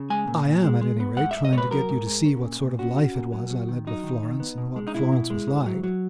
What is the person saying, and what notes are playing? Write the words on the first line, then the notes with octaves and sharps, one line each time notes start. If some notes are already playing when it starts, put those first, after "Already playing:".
I am, at any rate, trying to get you to see what sort of life it was I led with Florence and what Florence was like.
Already playing: C#3
G#3 G#5
A#2
A#2
G#3
G#3
B3
G#2 F#5
G#2 E5
D#5
G#2 C#5
B4
F#3 A#4
G#2
G#2
C#4
A#2
A#2
C#4 F#4
C#4
A#2
F#3
F#3
D#3
F#3 D#4
D#3
D#3
B3
B2
G#3
D#4
B2 E4
B2
G#3
G#2
F#3
F#3